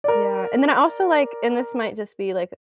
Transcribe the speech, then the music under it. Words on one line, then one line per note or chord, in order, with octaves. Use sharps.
Yeah. And then I also, like, and this might just be, like,
A#4 D5